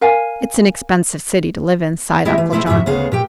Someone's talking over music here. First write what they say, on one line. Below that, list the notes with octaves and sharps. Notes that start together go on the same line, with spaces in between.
"It's an expensive city to live in," sighed Uncle John.
A#4 F5 G#5
G3 G#3 E4 G4 D#5 E5
E3
B2 G#3 A3 E4 C5
F2 G#2 C3 D#4 F#4 E5
D2 C#3 B3 G#4 F5
A#2 G4 G5